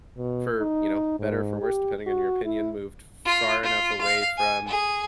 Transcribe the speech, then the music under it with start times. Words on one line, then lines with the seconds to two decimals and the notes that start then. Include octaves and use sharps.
for, you know, better or for worst, depending on your opinion, moved f far enough away from
0.18 B2
0.59 D#4
1.19 G#2
1.62 G4
2.06 F#4
2.44 E4
3.25 F4
3.63 F4
4.01 F5
4.38 G#5
4.68 G#4